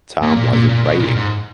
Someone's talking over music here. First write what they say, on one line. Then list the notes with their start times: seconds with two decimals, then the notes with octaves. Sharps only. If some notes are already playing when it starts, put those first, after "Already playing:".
Tom wasn't writing.
0.22 A#2
0.37 A#2
0.53 A#2
0.69 A#2
0.85 B2
1.00 A#2
1.16 G#2